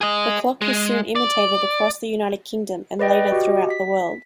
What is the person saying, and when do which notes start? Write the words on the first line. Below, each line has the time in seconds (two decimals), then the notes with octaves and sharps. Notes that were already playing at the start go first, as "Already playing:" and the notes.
The clock was soon imitated across the United Kingdom and later throughout the world.
0.01 G#4 D#5
0.61 G#3
1.16 D5
2.99 B4 D5 D#5 G5
3.32 F#4 G4 D#5
3.70 B6